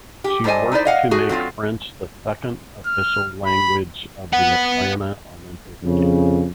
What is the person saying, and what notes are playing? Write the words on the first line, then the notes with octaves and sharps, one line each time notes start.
She worked to make French the second official language of the Atlanta Olympic Games.
G4
G2 G3 A4 C5 D#5 G#5
D#4 E4 C5 D5
D#5 F5 F#5
A3 F#4 G#4
F#3 C4 E4 F4
F6
B5
B4 F#5
F2 C#3